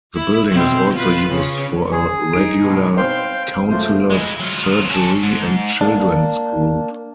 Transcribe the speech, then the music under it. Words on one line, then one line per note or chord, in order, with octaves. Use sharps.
The building is also used for a regular "Councillors' Surgery" and children's group.
E4
B2 C4
F4 B4
C#3
G#4 G#5
D#4 D7
G2 B2 G#3
C4 C5 F5 G5 C6
F#2 G#3 A3 F4 C5
G#3 E4
F#3 F4
C#4 A4
G#2
A#3 D4